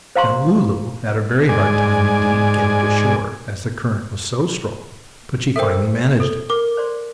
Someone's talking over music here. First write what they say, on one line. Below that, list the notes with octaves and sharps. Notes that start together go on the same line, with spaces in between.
Now Lulu had a very hard time, indeed, getting to shore, as the current was so strong, but she finally managed it.
C5 F5 A#5 C6 C#6
G#2 D5 G#5
A4 A#4 C5 E5 G5
E6
A4
A#4 D6
C5 D5 C6